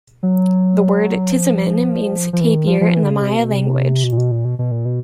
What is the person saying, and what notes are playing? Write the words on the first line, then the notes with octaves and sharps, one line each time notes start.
The word "Tizimin" means "tapir" in the Maya language.
F#3
F3
F3
E3
D#3
F3
F3
E3
D3
C#3
C3
B2
C3
B2
A#2
B2
A#2
B2
B2
A#2
B2